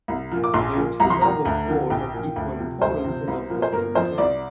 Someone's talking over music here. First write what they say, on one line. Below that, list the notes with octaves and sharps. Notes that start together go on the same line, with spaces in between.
There are two noble floors of equal importance and of the same design.
C2
A#2 F3
D6
A#1 C6
A#2 F3
C2 A#5
C6
A#2 F3 A#5
D2
D3 F3
A#1 G5
A#2 F3
D2
C3 F3
D2 C5
C3 F3
C2
A#2 F3
C5
G1 A#4
F2 F3 C5
C2 D5